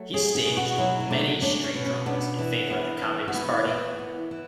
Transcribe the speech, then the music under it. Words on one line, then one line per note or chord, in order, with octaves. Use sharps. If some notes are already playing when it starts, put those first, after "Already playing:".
He staged many street dramas in favour of the Communist Party.
Already playing: F#3 A3
C#4 G#4
G#4
B2
F#4
F#3 E4
E4
A3 D4
C#4 D4
C#4
B2
C#4
B3 D4
E3
B3
E3
F#4
B3 E4
E3
B3
E3